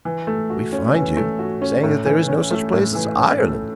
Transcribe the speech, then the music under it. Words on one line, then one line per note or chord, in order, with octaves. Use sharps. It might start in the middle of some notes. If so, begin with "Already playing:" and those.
We find you saying that there is no such place as Ireland.
E3
A3
F#4
C#4
E3
A3
F#4
C#4
A2
E3
C#4
A3
A2
E3
C#4
A3